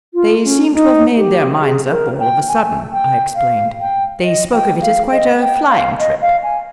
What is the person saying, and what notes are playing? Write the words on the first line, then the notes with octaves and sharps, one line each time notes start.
"They seem to have made their minds up all of a sudden," I explained. "They spoke of it as quite a flying trip."
F4
C#4
D#4
G4
G#4
A#4
G5
G#5
G5
F5
G5
D#5
G5
F5
D#5
G5
F5
D#5
F5
G#5